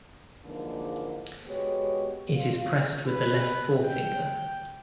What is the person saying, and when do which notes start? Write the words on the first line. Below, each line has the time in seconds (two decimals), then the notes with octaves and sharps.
It is pressed with the left forefinger.
0.45 G#2 D3 E3 F3 G#3 A#3
1.46 G#3 B3 F#4 G4 C#5
2.35 F4
3.08 B4
3.84 G5